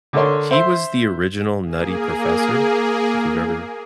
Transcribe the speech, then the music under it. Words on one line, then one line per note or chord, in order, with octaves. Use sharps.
He was the original Nutty Professor, if you've ever
D3 D4 A4 A#4 C#5 C6
C5 E5 C6
A#3 G#4